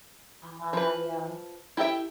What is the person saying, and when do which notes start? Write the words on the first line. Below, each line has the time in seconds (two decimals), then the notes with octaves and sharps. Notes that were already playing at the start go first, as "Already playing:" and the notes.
Ah, yeah.
0.73 F3 B4
1.77 E4 G4 A4 E5 G5